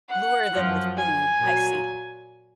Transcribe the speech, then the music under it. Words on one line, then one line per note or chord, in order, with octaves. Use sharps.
Lure them with food, I see.
F#5
F#2 F3
G#5
A#2 F#3